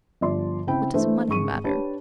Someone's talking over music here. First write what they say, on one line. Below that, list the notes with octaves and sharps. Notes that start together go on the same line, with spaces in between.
What does money matter?
G1 F3 D5 C6
C#3 C4 E4 G5 B5
E3 A3 D4 A4 C5
G#1 G#4 C#6 D#7
D4 G4 B4 C#5 A5 B5